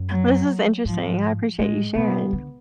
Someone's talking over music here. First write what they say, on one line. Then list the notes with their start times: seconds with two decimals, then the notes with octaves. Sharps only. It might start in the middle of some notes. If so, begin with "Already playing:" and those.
this is interesting. I appreciate you sharing.
Already playing: F#2
0.11 F#3
0.85 G#2 F3
1.59 A2 G#3
1.95 B2 B3
2.33 D3